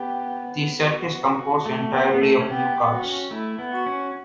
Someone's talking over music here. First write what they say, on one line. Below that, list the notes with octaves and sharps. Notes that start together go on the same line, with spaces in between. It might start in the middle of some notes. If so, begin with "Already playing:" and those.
The set is composed entirely of new cards.
Already playing: B3 G4
F#4
A3
B3
B3
A3
C#4
B3 G4
B3
F#4
C#4
A3 E4
B3
F#4
C#4